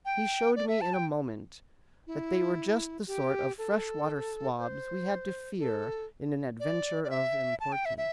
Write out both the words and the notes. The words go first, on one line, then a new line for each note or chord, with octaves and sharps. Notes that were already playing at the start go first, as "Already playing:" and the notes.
He showed me in a moment that they were just the sort of fresh-water swabs we had to fear in an adventure of importance.
G5
D5
E5
A5
G5
E4
G4
A4
C5
A4
D5
D5
E5
A5
G5
E5
E5